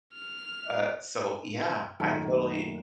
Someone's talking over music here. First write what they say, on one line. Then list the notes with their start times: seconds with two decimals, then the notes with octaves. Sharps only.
Uh, so yeah, I totally
0.14 F6
2.00 F#2 A#2 D#3 A3 A5